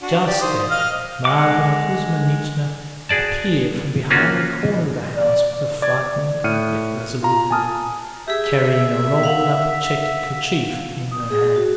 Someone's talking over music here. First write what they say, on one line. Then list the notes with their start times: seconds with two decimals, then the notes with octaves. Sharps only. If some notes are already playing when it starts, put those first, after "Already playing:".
Just then Mavra Kuzminichna appeared from behind the corner of the house with a frightened yet resolute look, carrying a rolled-up check kerchief in her hand.
0.02 D4 F#4
0.27 G4 D5
0.41 D#3 C5 D#6
0.70 D#5 F5 F6
1.25 G#3 F#5 D6
3.09 F#4 G#4 D5 A5
4.10 A#3 C#4 F4 F#4
5.13 D5
5.82 D5 G#6
6.44 A2 F6 F#6 C#7 D#7
7.23 F4 A#5
7.50 G#5 A5 D#6 F6
8.28 G4 G#4 E5
9.23 F5 F#5
11.11 D#6
11.30 G#4
11.56 F#4